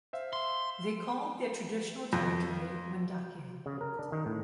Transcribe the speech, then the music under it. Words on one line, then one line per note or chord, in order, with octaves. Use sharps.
They called their traditional territory Wendake.
C5 E5 F5
C6
F2
C#3
A#4
D4
D#3
A2